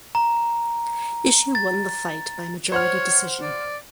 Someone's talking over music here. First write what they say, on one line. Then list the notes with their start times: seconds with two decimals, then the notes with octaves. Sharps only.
Ishii won the fight by majority decision.
0.15 A#5
1.55 A6
2.72 C5 C#5 F#5 F6
3.42 D5